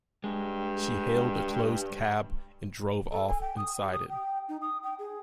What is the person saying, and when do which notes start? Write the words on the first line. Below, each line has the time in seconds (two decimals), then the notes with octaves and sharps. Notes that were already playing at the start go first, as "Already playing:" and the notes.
She hailed a closed cab and drove off inside it.
0.24 G2 G#3
3.12 A4
3.28 G#5
3.41 G5
3.58 D#6
3.80 G4
3.93 D#6
4.09 G5
4.49 D#4
4.61 D#6
4.83 G5
4.99 G#4